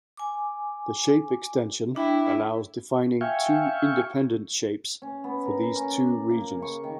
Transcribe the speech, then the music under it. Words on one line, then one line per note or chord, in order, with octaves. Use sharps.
The shape extension allows defining two independent shapes for these two regions.
G#5 D6
D4 E4 G5
E5 F5 G5 G#5 C#6
C#4
B3
A#4
A#4
C#4
D5
A#3
C#3
C#6
D#3